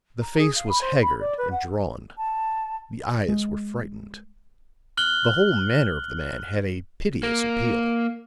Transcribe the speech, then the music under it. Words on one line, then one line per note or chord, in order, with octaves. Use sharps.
The face was haggard and drawn; the eyes were frightened; the whole manner of the man had a piteous appeal.
A#5
G#4
F5
B5
C5
B5
D5
B4
F#5
A5
G#3
F6 F#6 F#7 G7
A#3